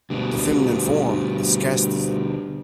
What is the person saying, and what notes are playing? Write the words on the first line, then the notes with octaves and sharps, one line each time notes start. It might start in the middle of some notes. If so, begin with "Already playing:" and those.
The feminine form is castiza.
D2 G2 B2